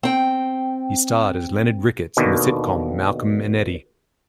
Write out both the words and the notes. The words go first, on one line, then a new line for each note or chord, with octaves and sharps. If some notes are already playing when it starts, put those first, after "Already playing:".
He starred as "Leonard Rickets" in the sitcom "Malcolm and Eddie".
C4 G5
D#2 B2 D3 D#3